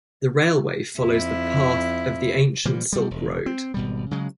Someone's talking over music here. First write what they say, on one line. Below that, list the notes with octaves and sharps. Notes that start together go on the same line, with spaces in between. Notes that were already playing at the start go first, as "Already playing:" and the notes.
The railway follows the path of the ancient Silk Road.
F2 E4
A#2 E3 F3 G3
B2 G3
E1
C4
G#1 B2 G3
C#3 F#3 G#3